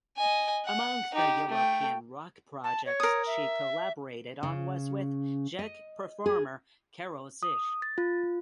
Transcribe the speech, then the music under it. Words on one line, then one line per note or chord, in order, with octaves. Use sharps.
Among the European rock projects she collaborated on was with Czech performer Karel Zich.
D#5 G#5
F#5
D#4 G4
A3 G5
A5
C#5
A#4 D#6
E5
C#3
D#5
G#4
D#6
A6
F4